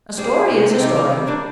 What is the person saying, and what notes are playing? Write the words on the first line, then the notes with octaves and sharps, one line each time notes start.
A story is a story.
G3 G#4 C5
C3
C3 D#4 G4
A#3
G3 C4
A#3 D4